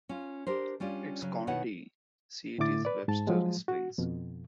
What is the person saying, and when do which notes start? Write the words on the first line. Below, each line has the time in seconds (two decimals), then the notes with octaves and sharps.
Its county seat is Webster Springs.
0.09 C#4 F4
0.47 D4 G4 A#4 C5
0.80 G3 C#4 D4 F4
1.22 C#3 F#3
1.47 B2 D#3 E4 C#5 F#5
2.58 A2 D3 A3 E4 D6 A6
2.85 B4 D5
3.08 G#2 A5
3.27 F3 F#3 G#3
3.68 F#4
3.98 F2 B2